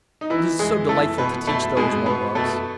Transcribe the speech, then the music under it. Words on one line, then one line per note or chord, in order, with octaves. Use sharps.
It is so delightful to teach those one loves!
D#4
E3 E4
E3 G#3 G#4
E3 A3 A4
B2 B3 B4
B2 A3 A4
B2 G#3 G#4
B2 B3 B4
B2 A3 A4